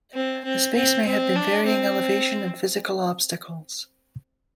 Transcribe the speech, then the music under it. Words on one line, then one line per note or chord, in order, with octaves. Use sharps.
The space may have varying elevation and physical obstacles.
C4
C4
C4
C4
D4
C4